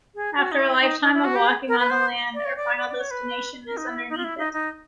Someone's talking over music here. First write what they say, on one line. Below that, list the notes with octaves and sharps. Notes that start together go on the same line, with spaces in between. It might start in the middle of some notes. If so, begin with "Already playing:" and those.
After a lifetime of walking on the land, our final destination is underneath it.
G#4
F#4
D#4
E4
D#4
D#4
E4
F#4
G4
G#4
A#4
B4
C5
D5
C#5
D5
D5
D5
C#5
B4
A#4
D#4
E4
D#4
F4
E4
D#4
D#4